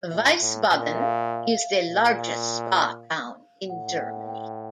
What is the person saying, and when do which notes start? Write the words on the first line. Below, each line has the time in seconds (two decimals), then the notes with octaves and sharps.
Wiesbaden is the largest spa town in Germany.
0.11 A#2 E5
0.41 A2
0.71 A#2
0.96 E5
1.01 F5
1.45 F5
1.90 A#2
3.69 A2 F#5
3.88 F#5
3.99 G5
4.29 G5